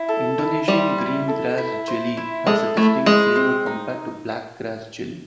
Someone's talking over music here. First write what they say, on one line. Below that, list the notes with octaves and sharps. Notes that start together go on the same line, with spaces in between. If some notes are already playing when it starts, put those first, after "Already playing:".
Indonesian green grass jelly has a distinct flavor compared to black grass jelly.
Already playing: E4
A4
E4
G3 C5
E4
A4
E4
C5
E4
G#3 A4
A3 E4
G#3 C5
C4
D#4